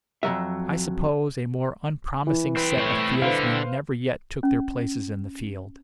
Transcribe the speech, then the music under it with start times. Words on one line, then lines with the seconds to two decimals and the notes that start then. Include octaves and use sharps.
I suppose a more unpromising set of fieldsmen never yet took their places in the field.
0.23 F2 F3 F#3 E5
2.27 E3
2.57 C4 E4 B4
2.78 A3 C#5
3.22 D3 B4 C5 F5
4.43 C#4